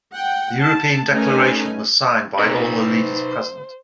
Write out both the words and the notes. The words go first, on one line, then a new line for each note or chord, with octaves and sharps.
The Europe Declaration was signed by all the leaders present.
F#5 G5
A5
A3 C#4 D#4 A#4 B4 G#5
C4 D#4 G#4 B4 A#5
C5